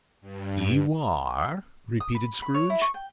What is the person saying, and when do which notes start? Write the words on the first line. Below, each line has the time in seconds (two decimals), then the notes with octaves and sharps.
"You are?" repeated Scrooge.
0.21 G2
2.00 D#6
2.15 B5
2.42 B5
2.54 C#5
2.70 E4
2.82 C#6
2.94 G5